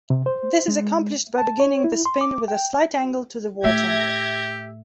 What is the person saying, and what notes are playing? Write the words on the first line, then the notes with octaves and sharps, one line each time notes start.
This is accomplished by beginning the spin with a slight angle to the water.
C3
C5
G#3
A5
C#5
E4
C6
D6
G5
A2 A3 G4 E5 G#6 A#6